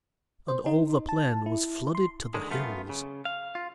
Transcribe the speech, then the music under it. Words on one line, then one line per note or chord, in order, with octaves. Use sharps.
And all the plain was flooded to the hills.
C5
D#4
A5
E4
C6
D3 D#3 G#3
F#2 A3 B3 F4
C#3
F5
F4